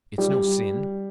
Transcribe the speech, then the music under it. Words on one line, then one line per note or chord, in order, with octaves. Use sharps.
It's no sin.
G3